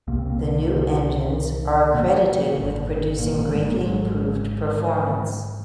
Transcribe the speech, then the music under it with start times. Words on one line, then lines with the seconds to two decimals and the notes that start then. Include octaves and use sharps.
The new engines are accredited with producing greatly improved performance.
0.07 C2 C3 A#3
0.19 C4
0.30 A#2 A#3
1.94 A#2 A#3
2.57 G#1 G2
3.19 A#2 A#3
3.34 A#2 A#3
3.50 G#2 G#3
3.65 A#2 A#3
3.81 G#2 G#3